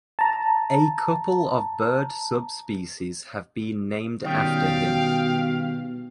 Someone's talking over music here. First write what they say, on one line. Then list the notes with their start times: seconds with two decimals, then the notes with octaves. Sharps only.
A couple of bird subspecies have been named after him.
0.19 A5 A#5
4.25 B2 D#3 G3 C#4 F5 G5